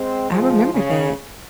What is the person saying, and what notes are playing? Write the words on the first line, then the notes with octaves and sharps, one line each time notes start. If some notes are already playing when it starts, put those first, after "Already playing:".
I remember that.
Already playing: G#3 C4
F3 G#3
C#3